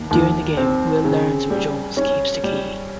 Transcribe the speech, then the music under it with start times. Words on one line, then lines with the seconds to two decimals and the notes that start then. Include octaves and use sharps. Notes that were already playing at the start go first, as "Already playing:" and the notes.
During the game, Will learns where Jones keeps the key.
Already playing: D#2
0.11 D#2
0.57 C4
1.04 C#3
1.50 G3
1.97 C#4
2.44 G3